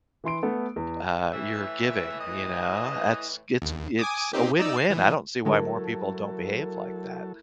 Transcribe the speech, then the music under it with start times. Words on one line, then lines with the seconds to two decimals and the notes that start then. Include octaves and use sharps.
uh, you're giving, you know? That's it's it's a win-win. I don't see why more people don't behave like that.
0.24 E3 E4 C6 D7
0.43 A3 B3 A4
0.76 E2
1.32 A2 E3 E5
2.20 D#5
3.62 D#2
3.99 G#5 D6 D#6
4.33 C4 D#4 G4
4.59 D#4 D5 E6
4.77 C7
4.90 E3
5.45 D3 F#3 G#3 A3 E4 A4 A#4